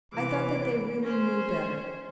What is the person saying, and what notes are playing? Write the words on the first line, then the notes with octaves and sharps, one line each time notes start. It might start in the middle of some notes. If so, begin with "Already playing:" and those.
I thought that they really knew better.
C3 E3 D6
C#4 C5